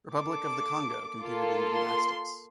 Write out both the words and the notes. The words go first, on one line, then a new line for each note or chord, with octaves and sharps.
Republic of the Congo competed in gymnastics.
A#3 D4 A4 D6
A#3 F4 A4
C6